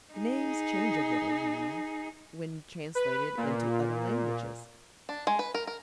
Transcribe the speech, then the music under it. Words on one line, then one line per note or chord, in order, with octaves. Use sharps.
Names change a little, you know, when translated into other languages.
D#4 G#4
B4
A#2
D4
G#3
B4
A#4
A#4